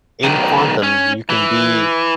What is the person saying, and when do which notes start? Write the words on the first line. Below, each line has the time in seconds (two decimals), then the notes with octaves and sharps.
In quantum, you can be
0.24 B1 D#3
0.83 C#4
1.30 E3